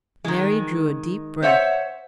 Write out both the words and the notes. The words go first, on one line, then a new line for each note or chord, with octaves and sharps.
Mary drew a deep breath.
D#3 G#3
C5 C#5 E5 F#5